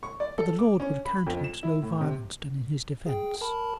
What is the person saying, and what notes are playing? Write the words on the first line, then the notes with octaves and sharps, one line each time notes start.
But the Lord would countenance no violence done in his defence.
C#6
D5
A4
D6
C#4
B5
F2
E7
E4
A2
C3
G#4 G5
A#4 A5 B5